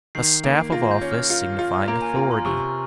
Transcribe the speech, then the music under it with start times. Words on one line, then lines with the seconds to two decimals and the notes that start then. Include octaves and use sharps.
A staff of office signifying authority.
0.15 D#3 C7
0.44 A#3
0.72 F4 A#6
0.91 G6
1.01 C#4
1.11 F6
1.30 F4
1.59 F4
1.88 A#3 A#5
2.02 G#5
2.16 F4 A#5
2.31 C6
2.45 C3 C#6